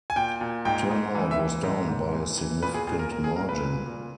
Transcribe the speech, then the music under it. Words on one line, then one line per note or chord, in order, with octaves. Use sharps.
Turnout was down by a significant margin.
G#5
A#2 G5
A#2
G#2 G5
G#2
E3
E5
E3
G#2
G#2
E3
E3
A#2 B4
G#4
A#2 G#4
A#4
A#2 A#4
G#4
A#2 A#4
B4
A#2
A#2